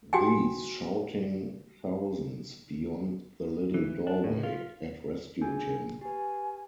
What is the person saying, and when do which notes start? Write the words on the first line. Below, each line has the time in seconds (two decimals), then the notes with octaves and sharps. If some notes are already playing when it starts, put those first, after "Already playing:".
These shouting thousands beyond the little doorway had rescued him.
0.13 F#4 G5 G#5
3.74 E3
4.07 D4
4.24 A2
4.43 F4
5.41 D4 G#4 G#5
6.01 G4 B4 G#5